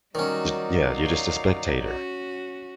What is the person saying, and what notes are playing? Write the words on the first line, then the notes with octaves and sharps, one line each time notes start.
J yeah, you're just a spectator.
D#3 F#3 G3 C#4 D#4 F#4 D5
C#5 F5
C#4 F#4